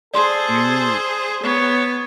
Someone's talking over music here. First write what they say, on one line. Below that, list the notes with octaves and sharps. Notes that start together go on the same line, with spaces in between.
Do you
G#4 A4 C5 D5 C6
B3 C#5